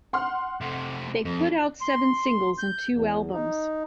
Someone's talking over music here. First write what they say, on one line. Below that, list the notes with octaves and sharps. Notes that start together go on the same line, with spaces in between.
They put out seven singles and two albums.
F#5 C6 F6
C3 A3
F2
C6
G6
E2
D#4